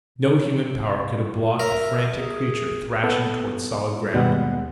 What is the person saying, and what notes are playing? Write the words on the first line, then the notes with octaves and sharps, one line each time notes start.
No human power could have blocked the frantic creature thrashing toward solid ground.
A#4 E5
G#4
B3 A4
D#2 B2 G3 G#3 B3 F#5